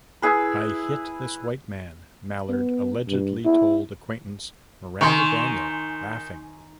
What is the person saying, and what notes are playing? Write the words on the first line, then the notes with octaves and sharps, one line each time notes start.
"I hit this white man," Mallard allegedly told acquaintance Maranda Daniel, laughing.
E4 G#4 B4
B3
G2
E4
D#3 G#5 C6 C#6